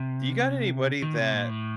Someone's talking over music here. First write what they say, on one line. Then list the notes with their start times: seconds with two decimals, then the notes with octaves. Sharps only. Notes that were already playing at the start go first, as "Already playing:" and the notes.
Do you got anybody that, uh,
Already playing: C3
1.02 D#3
1.18 C3
1.34 A#2
1.49 A2